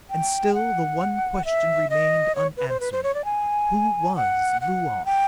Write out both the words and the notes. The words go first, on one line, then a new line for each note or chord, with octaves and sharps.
And still the one question remained unanswered: Who was Luar?
G5
F#5
E5
D#5
C#5
B4
C5
B4
C5
C#5
D5
G#5
F#5
F#5
G5